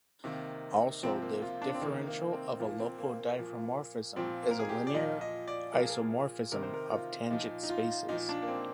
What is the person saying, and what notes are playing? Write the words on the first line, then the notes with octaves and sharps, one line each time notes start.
Also, the differential of a local diffeomorphism is a linear isomorphism of tangent spaces.
C3 D#3 A#3
C3 F3 C4
A#3
F4
D4
C4
C3 D#3 A#3
A#3
C4
A#2 F3 A#3
A#3
C4
A#3
A#3
A#2 F3
A#2 F3 C4
A#3
A#4
G#4
G4
D5
A#2 F3 D#5
D#5
D5
A#2 F3 A#4
G#4
A#4
C3 D#3 A#4
C5
A#4
F4
A#2 F3 D#4
D#4
F4
A#2 F3 D#4
D4
A#3
C4